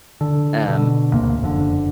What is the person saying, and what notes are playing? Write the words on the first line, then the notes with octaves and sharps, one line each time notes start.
t um,
D3
B2 D3
D2 G#2 C3 A#3
F#1 F2 B2 D3